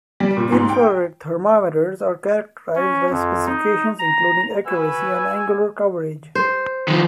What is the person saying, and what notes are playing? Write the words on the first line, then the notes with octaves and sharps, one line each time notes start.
Infrared thermometers are characterised by specifications including accuracy and angular coverage.
G3
A#2
G#2
G5
C#4
F2
D#4
A#5
F#4 B4 G#5 E6
C5
D#3 F3